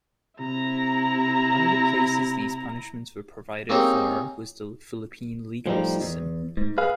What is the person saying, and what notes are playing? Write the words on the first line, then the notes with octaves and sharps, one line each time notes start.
One of the places these punishments were provided for was the Philippine legal system.
C3 E4 A#5
A#3 C4 C#4 D#4 G4 G#4
A2 F3 G3 D#4
E2
G#2
G#4 B4 F5